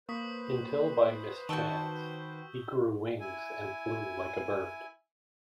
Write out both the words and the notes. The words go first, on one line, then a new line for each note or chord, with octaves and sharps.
Until by mischance, he grew wings and flew like a bird.
A#3 B4 C5 C#6 D#6 B6
D#3 F#4 G5 A5 C#6 E6 G6
E4 G#5